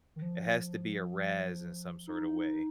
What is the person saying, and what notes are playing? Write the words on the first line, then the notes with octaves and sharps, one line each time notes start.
it has to be a razz in some sort of way.
D#3
F3
D#4